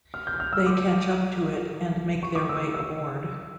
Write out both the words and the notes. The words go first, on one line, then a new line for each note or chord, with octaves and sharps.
They catch up to it and make their way aboard.
F6
G6
F6
E6
D6
C#6
D6
E6
E6